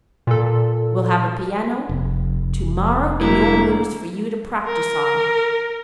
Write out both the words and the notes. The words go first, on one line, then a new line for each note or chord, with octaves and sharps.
We'll have a piano tomorrow in your rooms for you to practise on.
A#2 A4
F1
A2 D3 G#3 A#3 E4
A#4